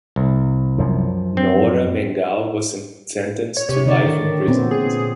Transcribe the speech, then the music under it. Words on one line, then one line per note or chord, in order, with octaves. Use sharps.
Noora Mengal was sentenced to life imprisonment.
C2
F#2 F3
C4
C#5
C3 C#5
D3 D#4 D5
D#3
A#2 B3 C4
G#4